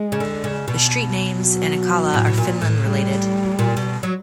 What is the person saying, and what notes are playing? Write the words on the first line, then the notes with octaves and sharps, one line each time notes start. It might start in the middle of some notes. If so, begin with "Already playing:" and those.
The street names in Akalla are Finland related.
Already playing: G#3
C#3
D3
C#3
B2
F#3
A2
B2
A#2
A2
G3
A#2
B2
F#3